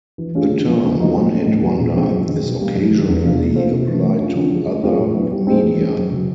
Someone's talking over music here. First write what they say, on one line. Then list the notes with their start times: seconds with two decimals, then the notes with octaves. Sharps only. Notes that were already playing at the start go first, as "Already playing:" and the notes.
The term "one-hit wonder" is occasionally applied to other media.
0.18 E3
0.34 A3 C#4 F4 G#4
0.50 D3
0.67 F3 G#3
0.82 C#3
0.99 F3 A#3 D#4 F#4
1.14 F#3
1.31 A3 C#4
1.46 A2
1.63 F#3 B3
1.79 A#2
1.94 F3 G#3 C4 D#4
2.11 F#2
2.27 D#3 G#3 C#4
2.42 B2
2.59 G3 A#3
2.75 F#2
2.91 D#3 F#3
3.07 E2
3.23 C3 F3 A#3 D4
3.39 A3
3.55 C4 F4 A4 C5
3.71 C3
3.88 E3 A3
4.03 A3
4.19 C#4 F4
4.35 D3
4.51 F3 G#3
4.67 A3
4.83 C4 F4 G#4
4.99 A2
5.15 F#3 B3 E4
5.32 G3
5.47 C4 D#4 G#4 C5
5.63 E3
5.80 G#3 C#4
5.96 F#2
6.11 C#3 F#3